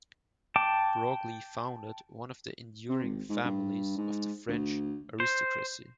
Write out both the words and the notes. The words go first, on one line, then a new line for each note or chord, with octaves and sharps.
Broglie founded one of the enduring families of the French aristocracy.
G5 A5 D6
C3
G#1
G#2
G2
G#2
D2
C5